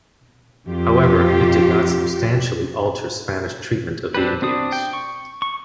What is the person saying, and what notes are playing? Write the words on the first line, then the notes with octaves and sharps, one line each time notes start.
However, it did not substantially alter Spanish treatment of the Indians.
F2 F4 G4
C4 D4 G4 B4
C4 D4 D#6
G5
C#6
C#6